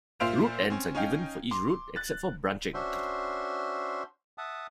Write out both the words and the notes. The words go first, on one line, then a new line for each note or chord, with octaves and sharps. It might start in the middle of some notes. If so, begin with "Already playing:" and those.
Route ends are given for each route except for branching.
A#2 C5 E5 F5 D7 F7
C4 C#4
C#4 D#4 F5 G5
C6 D6
F#6 A6
C#4 D4 F#4 C5 E5 C6
E5 F#5 A5 D#6